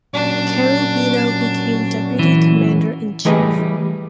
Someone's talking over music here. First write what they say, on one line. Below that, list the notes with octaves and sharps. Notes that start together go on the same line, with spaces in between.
Kerubino became deputy Commander in Chief.
A#2 F#3 C#4 D4
E3
E3 G3 A3 G#4 B4 D#5